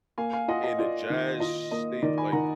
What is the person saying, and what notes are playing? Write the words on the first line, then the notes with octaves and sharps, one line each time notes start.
in a jazz state? Like,
A#3 F5 G#5
F5 G#5
F4 D#5 F#5
D#5
F4 D5
D#3
F4 D#5
A#3 D#5
D#3 D5
G#5 B5
D#3 F#5 A#5